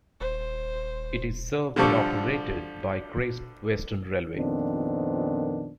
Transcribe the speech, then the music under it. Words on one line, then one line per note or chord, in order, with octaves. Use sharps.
It is served and operated by Great Western Railway.
D#1 C5
D3 F3 G3 A4 C#6 D6
F2 A#2 D#3 B3 C4 D4